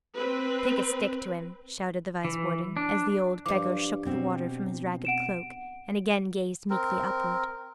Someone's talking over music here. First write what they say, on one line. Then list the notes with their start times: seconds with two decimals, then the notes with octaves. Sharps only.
"Take a stick to him!" shouted the Vice-Warden, as the old Beggar shook the water from his ragged cloak, and again gazed meekly upwards.
0.15 C4 B4
2.25 E3
2.77 D4
3.46 G2 F3 D6
4.05 B2 C4 F#4
5.05 F#5 D7 E7
6.70 C4 A#4